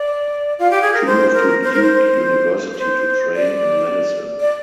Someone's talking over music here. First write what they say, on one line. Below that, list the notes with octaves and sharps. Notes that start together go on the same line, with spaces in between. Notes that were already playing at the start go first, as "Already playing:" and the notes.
She moved to Duke University to train in medicine.
Already playing: D5
F4
G4
G#4
A#4
C5
A#4
C5
A#4
C5
A#4
C5
D5
D5